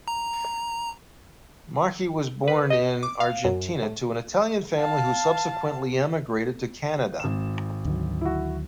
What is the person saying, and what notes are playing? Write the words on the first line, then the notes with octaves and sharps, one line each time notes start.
Marchi was born in Argentina to an Italian family who subsequently emigrated to Canada.
A#5
B4
D#5
D6
F5
F#2
A2
F5 A5
G#1 E7
D2 D#3 F#3
E4 F#4